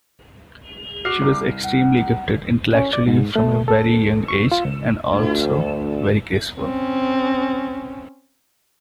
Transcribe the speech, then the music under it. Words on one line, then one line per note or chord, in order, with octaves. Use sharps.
She was extremely gifted intellectually from a very young age and also very graceful.
F#4 D6 F6 C7
C2
F#5
C#4
D5
G#2
A3
A4
C#6
F4
C#2
D2
C4 C#4